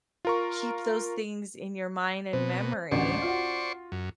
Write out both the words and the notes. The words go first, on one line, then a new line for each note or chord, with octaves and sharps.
keep those things in your mind, and memory,
F4 A#4 C#6
B2 C4
A1 D2 C5 D5 C#6
F4 F#4
F#2